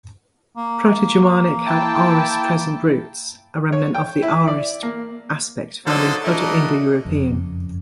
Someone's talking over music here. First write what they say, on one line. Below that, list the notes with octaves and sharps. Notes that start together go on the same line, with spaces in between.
Proto-Germanic had aorist-present roots, a remnant of the aorist aspect found in Proto-Indo-European.
A#3
E4 G5 A5
C#5
G5
E4
D5
A#3
D3 F#3 A#3 D#4 A4 C5
A3 D4 E4 F#4 A#4 D#5
F#1 F2 C#3